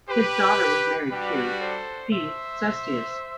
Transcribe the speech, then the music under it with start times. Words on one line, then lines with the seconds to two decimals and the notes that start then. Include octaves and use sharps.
His daughter was married to P. Sestius.
0.09 G4 B4
1.09 G3 D4 F#4 G4 B4
1.60 A4 C5
2.11 C5 E5